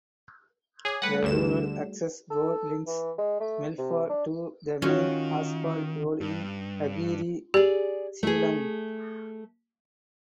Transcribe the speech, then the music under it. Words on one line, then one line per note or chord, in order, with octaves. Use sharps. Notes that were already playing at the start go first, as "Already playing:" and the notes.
A rural access road links Melfa to the main asphalt road in Hagere Selam.
G#4 C#5 D6 G#6
G3 A3 A4 B4 F#5
D2 G2 D3 A3 F#4 G#4 E7
A4
E3
G#3
A3
C3
D4
D#3 C#4 F4 F#4 C#5
G2
G4 G#4 D5
A3 G#4